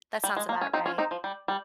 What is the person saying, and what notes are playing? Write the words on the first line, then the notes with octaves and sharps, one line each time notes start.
That sounds about right.
G3
G#3
A#3
C#4
C4 D#4
C#4 F4
C4 D#4
F3
G3
G3